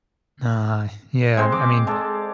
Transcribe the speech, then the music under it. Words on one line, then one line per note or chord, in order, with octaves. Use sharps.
Nah, yeah, b I mean,
G#3 C4 C5
D6
G#3 A4 D5